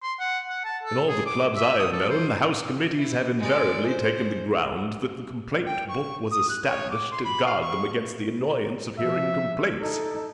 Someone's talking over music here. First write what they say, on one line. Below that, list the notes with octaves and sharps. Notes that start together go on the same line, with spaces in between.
In all the clubs I have known the house committees have invariably taken the ground that the complaint-book was established to guard them against the annoyance of hearing complaints.
C6
F#5
F#5
A5
A4
G#4
D6
E5
D#6
A4
C5
E4
G#3 D5
C5
G5
C#6
D#6
F#6
C#5
D6
C6
B5
F5
C#6
F3 E5
D#4 A4